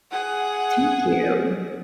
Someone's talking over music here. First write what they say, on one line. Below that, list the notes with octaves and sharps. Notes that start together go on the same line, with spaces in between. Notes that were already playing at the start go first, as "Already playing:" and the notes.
Thank you.
G#4 F#5